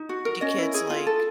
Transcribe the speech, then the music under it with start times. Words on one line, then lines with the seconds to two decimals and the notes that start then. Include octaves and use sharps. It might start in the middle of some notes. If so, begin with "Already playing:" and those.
do kids, like,
Already playing: D#4
0.09 F#4
0.25 A#4
0.41 C#4 D#5
0.58 E4
0.74 G#4
0.90 F4
1.07 A4